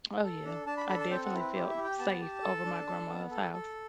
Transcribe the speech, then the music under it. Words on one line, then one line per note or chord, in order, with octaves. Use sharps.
Oh yeah. I definitely felt safe over my grandma's house.
A4
D4
D4 A5
B5
A4 B5
A5
C4 G5
F#5
E4
B4
G4
E5
G4
G5
B3 A5
G4
A4
D4
A4
B3
A4
A4